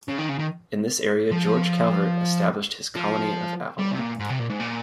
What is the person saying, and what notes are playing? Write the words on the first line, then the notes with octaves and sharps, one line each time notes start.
In this area George Calvert established his Colony of Avalon.
C#3
D#3
C#3
D#3
F3
F3
G3
C3
A#2
G#2
C3
A#2
G#2
A#2